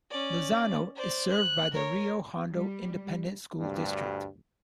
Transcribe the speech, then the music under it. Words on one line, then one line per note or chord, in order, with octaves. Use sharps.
Lozano is served by the Rio Hondo Independent School District.
C#4 D5
C5 D5
F#6
A#4 C#5
G3
D2 G2 G3